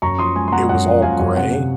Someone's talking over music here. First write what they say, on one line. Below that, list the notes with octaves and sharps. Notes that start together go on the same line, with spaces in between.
it was all gray,
F#2 A#5 C#6
F3 C6 D#6
G#3 G#5 C6
C6
G#3 F#5 A#5
F#2 F#5
F3
F#2 F5 G#5
F#2
C3 F#5
C3